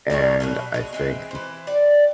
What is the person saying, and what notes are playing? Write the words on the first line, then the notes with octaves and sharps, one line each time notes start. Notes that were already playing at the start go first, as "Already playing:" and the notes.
And, I think
F3 G3 A#4 C#5
B2 F3 F#3
G#3 F#4
E3 G#3 C4
E3 C5
D5 G5